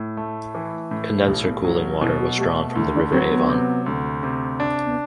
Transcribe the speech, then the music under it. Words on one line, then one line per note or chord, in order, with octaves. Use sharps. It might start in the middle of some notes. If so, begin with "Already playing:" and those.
Condenser cooling water was drawn from the River Avon.
Already playing: A2
A3
E3
A2
B1 G4
B3
F#3 C4
B2 E4
F#4
A3 G4
D2 E4
D4
F#3 C4
B3
C3
D2
C3
D4
B3